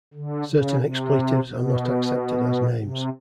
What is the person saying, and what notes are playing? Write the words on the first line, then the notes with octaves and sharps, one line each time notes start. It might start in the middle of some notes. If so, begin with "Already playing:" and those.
Certain expletives are not accepted as names.
D3
C#3
C3
B2
C3